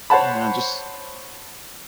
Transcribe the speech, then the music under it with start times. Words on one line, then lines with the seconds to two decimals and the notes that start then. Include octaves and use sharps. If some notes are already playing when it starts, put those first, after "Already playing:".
you know, just
0.10 C5 C#5 F#5 A5 B5